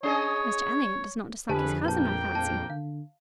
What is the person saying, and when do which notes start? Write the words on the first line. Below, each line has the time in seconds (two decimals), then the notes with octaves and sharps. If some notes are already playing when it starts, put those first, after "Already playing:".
"Mr Elliot does not dislike his cousin, I fancy?"
0.03 C#4 G#4 C#5 D#5
1.49 F2 D3 C#4 G4 G#4 B4 G#5 A5
1.85 A#1 A#3 B4 G5 A5
2.35 A#1 A5
2.70 D3 F5